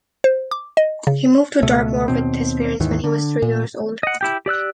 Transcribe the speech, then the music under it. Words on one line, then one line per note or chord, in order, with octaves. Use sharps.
He moved to Dartmoor with his parents when he was three years old.
C5
D6
D#5
C#3
C#2 B2 A3
D#2 B2 C4
D#2 G#2 D#3 E3
D3
A#2
D#5 F#5
E4 G4 G5
G4 D5 E6 F#6